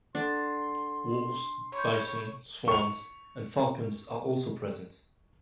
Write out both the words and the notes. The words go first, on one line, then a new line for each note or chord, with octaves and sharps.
Wolves, bison, swans, and falcons are also present.
D4 A4 F#5 C6 A6
C#5 B5 G6
C#6 F7